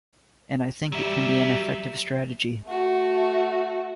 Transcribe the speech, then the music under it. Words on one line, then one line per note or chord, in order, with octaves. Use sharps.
And I think it can be an effective strategy.
F#3 G3 E5
A3 F#4